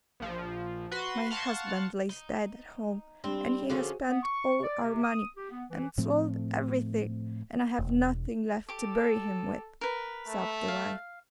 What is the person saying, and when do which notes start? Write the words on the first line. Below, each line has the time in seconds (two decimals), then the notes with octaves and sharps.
'My husband lies dead at home, and he has spent all our money, and sold everything, and I have nothing left to bury him with,' sobbed the wife.
0.20 A#1 F3
0.92 F#4 B4 C6
1.31 F5 F#5 A5 C6 C#6
2.09 D#4
3.24 G3 C4 D4
3.70 D3 F3 C#4 F#4 G#4 C5
4.08 B3
4.23 C#6
4.62 D5
4.82 C3
5.02 D#6
5.36 G4
5.50 B3
5.70 E3
5.98 A2 F3 A3 C4
7.79 E1
8.69 G4 A4 D6
9.81 A#4 B4
10.28 A3
10.68 F5